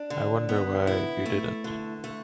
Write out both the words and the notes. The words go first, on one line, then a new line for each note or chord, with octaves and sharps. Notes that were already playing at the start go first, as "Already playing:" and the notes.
I wonder why you didn’t.
Already playing: D4
D3
B3
E4
A3
D3
A3